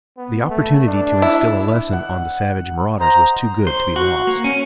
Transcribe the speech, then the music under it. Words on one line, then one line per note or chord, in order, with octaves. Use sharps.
The opportunity to instill a lesson on the savage marauders was too good to be lost.
B3
A3
D4
E4
F#5
C5 D#5 A#5
C5
F#4
A#3
C#4